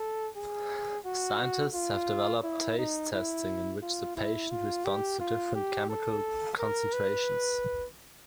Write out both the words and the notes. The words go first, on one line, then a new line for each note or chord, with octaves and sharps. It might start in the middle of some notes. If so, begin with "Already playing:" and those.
Scientists have developed taste testing in which the patient responds to different chemical concentrations.
Already playing: A4
G#4
F#4
F4
E4
D#4
E4
F4
E4
F4
G4
F4
G4
A4
A#4
B4